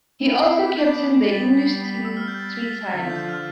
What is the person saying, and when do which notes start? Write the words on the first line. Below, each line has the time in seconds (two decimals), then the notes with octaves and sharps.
He also captained the English team three times.
0.23 C4 E4 D7
0.41 C7
0.59 B6
0.76 B3 D4 G6
1.23 B6
1.31 G3 B3 A6
1.44 B6
1.58 C7
1.71 C7
1.85 B6
2.05 E6
2.17 F6
2.28 G6
2.38 A6
2.52 B6
2.65 A6
2.79 B6
2.92 D3 F3 B6
3.02 A6
3.10 G6
3.29 F6